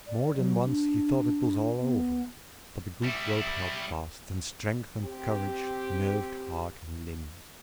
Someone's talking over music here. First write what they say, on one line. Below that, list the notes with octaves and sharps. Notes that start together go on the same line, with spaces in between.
More than once he thought it was all over; but the good rope held fast, and strength and courage nerved heart and limbs.
D5
F#3
D4
B3
G3 E4
C4 G4